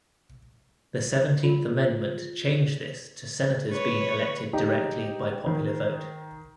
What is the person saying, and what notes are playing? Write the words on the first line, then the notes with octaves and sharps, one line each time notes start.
The Seventeenth Amendment changed this to senators being elected directly by popular vote.
F4
B4 C#5
D#4 G4
D#3